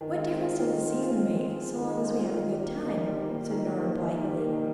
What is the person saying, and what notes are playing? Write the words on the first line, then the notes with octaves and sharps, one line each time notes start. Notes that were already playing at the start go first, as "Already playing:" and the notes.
"What difference does the season make, so long as we have a good time?" said Nora blithely.
D#3
G#3
C4
F4
D#3
G#3
C4
F4
D#3
G#3
C4
F4
D#3
G#3
C4
F4
D#3
G3
A#3
D#3
D#3
G3
A#3
D#3
D#3
G3
A#3
D#3
D#3
G3
A#3
D#3